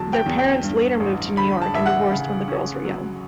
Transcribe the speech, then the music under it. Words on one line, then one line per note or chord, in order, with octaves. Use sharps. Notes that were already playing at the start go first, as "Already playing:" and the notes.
Their parents later moved to New York and divorced when the girls were young.
Already playing: E2 D3 F#3 A5
G5
E2
G5
G2
A1
D3 B5
A5
A1 E5
F#5
C#3
C#4
F#3